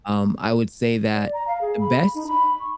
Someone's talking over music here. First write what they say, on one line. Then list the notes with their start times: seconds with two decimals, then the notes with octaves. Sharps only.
um, I would say that the best
1.14 D5
1.33 A#5
1.48 F5
1.61 G#4
1.80 B5
2.14 D#4
2.27 B5
2.60 C#6